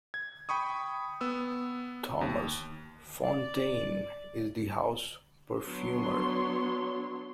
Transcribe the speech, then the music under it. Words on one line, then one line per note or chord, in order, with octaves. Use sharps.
Thomas Fontaine is the house perfumer.
G#6
G5 B5 C#6 D#6
B3 E6
D#2
D5
F#3 B3 D4 C#5 C6